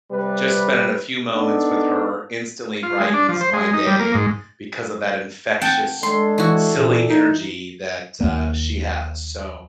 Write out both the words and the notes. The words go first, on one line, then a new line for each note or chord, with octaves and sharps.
just spending a few moments with her instantly brightens my day because of that infectious, silly energy that, uh, she has, so,
C3 G3 B4
B3 D4 D#4 A4
F4
G#3
D4
F3
C5
G#3
D#4
G3
A#3
G#2
C4 F#5 G5 A5
G#3 D4 A4 C6
E3 F#4
A#2
D#4
D#2 A#3